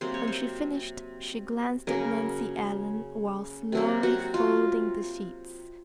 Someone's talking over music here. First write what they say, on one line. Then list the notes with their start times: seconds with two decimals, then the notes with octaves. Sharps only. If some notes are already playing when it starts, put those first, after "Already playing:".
When she finished, she glanced at Nancy Ellen while slowly folding the sheets.
0.01 C3 F#3 A#3 C5
0.14 C#5
0.28 C5
1.87 C#3 F#3 A#3 A#4
3.72 C3 F#3 A#3
4.03 F#4
4.34 F4